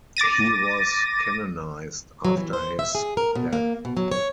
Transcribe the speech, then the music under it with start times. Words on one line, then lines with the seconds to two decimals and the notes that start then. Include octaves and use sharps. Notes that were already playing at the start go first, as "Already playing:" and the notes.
He was canonised after his death.
0.17 D6 A6 A#6 D#7
2.25 F#3
2.37 E3
2.53 C5
2.79 E5
2.95 G#4
3.17 A#4
3.35 B2
3.53 A#3
3.85 B2
3.97 F#3
4.12 C#5